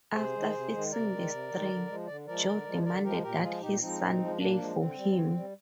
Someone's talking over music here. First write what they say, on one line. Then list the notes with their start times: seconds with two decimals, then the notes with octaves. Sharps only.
After fixing the string, Joe demanded that his son play for him.
0.14 C3 G#4 C5
0.34 D#3 G#3
0.54 C3
0.73 D#3 G#3
0.92 C3 A#4 D5
1.11 D#3 G#3
1.30 C3
1.50 D#3 G#3
1.68 D3
1.87 F3 G#3
2.07 D3 D5
2.27 F3 G#3 A#4 D5
2.45 D3
2.65 F3 G#3
2.84 D3 A#4 D5
3.03 F3 G#3 G4 A#4
3.22 A#2 G4 A#4
3.41 F3 G#3 F4 G#4
3.61 A#2 D#4 G4
3.80 F3 G#3 C4 D#4
4.00 A#2
4.19 F3 G#3
4.37 A#2 A#3 D4
4.57 F3 G#3
4.76 D3 C4
4.95 G3
5.15 D3
5.34 G3